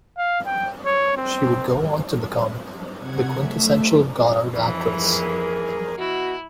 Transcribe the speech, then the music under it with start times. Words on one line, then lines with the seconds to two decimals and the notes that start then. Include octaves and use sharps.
She would go on to become the quintessential Godard actress.
0.18 F5
0.46 G5
0.85 C#5
1.17 C4
2.98 C3 F#5 G#6
3.37 A3 E5
4.50 F2 E3
4.91 G#4 A#4
5.98 B2 E4 F#4